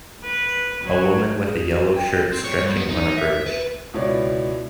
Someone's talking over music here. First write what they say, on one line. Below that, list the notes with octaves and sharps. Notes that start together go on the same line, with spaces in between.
A woman with a yellow shirt stretching on a bridge.
B4
F#3
G#4
F#4
G5
C4
C#5
G2
B3
D#4
E5
B4
C#2 B2 E4 C#5 D5